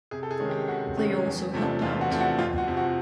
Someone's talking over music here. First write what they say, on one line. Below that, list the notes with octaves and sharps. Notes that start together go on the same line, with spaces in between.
They also help out.
C3 G#4
A4
G#4
D#3 G#3 C#4
G4
C3 F#4
D#3 G#3 C#4
E2
C3 F3 A3 D4
E2 F4
F#4
C3 F3 A3 D4
F#4
F2 F4
F#4
C3 F3
F#4